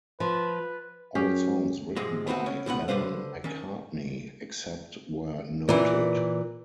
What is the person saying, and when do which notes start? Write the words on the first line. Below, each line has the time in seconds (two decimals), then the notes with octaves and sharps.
All songs written by Lennon-McCartney, except where noted.
0.20 F3 B4
1.15 F#2 C#4 G4 G#4
1.96 G#2 C3 F3 G#3
2.27 A3 B3 C4 D#4 F#4
2.46 C#4
2.66 A2 C3 B3 F#5
2.88 C#2 D3 E3 B4 C5 F5
3.44 D#3 C#4
5.69 A#2 E3